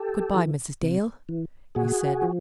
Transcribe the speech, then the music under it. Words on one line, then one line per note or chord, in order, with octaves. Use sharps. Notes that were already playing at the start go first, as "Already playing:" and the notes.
"Good-by, Mrs. Dale," he said.
Already playing: G4 A4
E3
C3
E3
A#2 F#4 G#4
F3